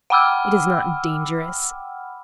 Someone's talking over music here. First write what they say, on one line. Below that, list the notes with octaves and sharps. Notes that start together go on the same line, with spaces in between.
It is not dangerous.
F#5 G5 B5 D6 E6 F6